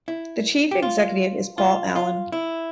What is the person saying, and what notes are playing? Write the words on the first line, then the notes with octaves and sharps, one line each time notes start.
The Chief Executive is Paul Allen.
E4
G4
F4
F4
F4
E4